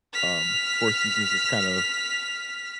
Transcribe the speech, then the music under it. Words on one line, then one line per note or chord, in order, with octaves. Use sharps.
um, four seasons is kind of
F6 B6